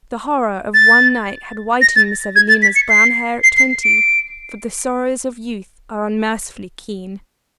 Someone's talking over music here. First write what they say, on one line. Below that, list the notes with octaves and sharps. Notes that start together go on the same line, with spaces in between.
The horror of one night had whitened Miss Evelina's brown hair at twenty, for the sorrows of Youth are unmercifully keen.
A6
A#6
A6
G#6
A6
B6
C#7
C7
C7
C7
D7